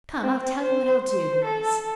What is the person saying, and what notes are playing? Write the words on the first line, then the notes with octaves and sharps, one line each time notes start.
"Come, I'll tell you what I'll do, boys."
C4
C5
C5
A4